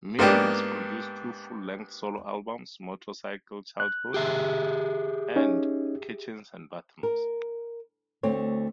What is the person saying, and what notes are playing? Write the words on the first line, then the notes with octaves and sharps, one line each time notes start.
Meade has produced two full-length solo albums: "Motorcycle Childhood" and "Kitchens and Bathrooms".
G#2 A#3 B3 D4 G4
F#6
G4 G#4 E5
C#4 D#4
A#4
D2 A3 C4 C#5